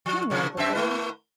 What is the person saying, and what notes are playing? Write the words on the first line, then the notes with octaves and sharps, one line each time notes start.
You know the thing.
F3
A2 C3 A#3
F#2 C4 E5
A3 E4 B4